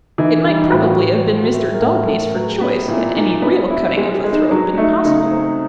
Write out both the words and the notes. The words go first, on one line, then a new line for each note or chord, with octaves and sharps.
It might probably have been Mr. Daubeny's for choice, had any real cutting of a throat been possible.
E3 D#4
D#4
G3 D#4
D#4
F#4
A2 F4
F#4
A2 G4
F#4
F3 F4
F#4
A3
G#4
A#4
A2 A4
A#4
A2 A4
A#4
F#3 B4
G#4
B3 G#4
G4
A#2 E4
A#2 D#4
B3 D4
E4
G#3 G4
G4
G#3
D#4
F#3 D4
A3 D#4
C#3 D#4
C4